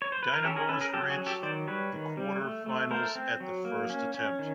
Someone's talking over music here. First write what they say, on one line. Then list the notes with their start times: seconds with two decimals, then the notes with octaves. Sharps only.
Dynamos reached the quarter-finals at the first attempt.
0.02 C#5
0.12 C5
0.23 B4
0.34 A#4
0.44 C#4 G4 A4
0.56 G#4 A#4
0.69 C#4 A4 B4
0.81 G#4 A#4
0.94 F#3 G4 A4
1.10 F#4 G#4
1.18 F#3
1.27 G4 A4
1.43 D#3 C5 D5
1.68 G3 B4 C#5
1.92 D#3
2.17 G3
2.41 A3
2.66 A3
2.91 A3 A#4 C5
3.15 C4
3.40 F#3
3.65 A#3
3.90 C#4
4.14 C#4
4.39 D#3